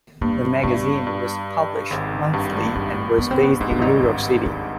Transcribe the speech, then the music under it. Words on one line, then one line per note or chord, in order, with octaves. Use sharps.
The magazine was published monthly and was based in New York City.
G2 A#3
G2 B3
G2
G#1 G#2
G2
G2 C4
B3
C4
B3
G#2 D#4
G2 D4
G#1 G#2 D#4
D4
D#4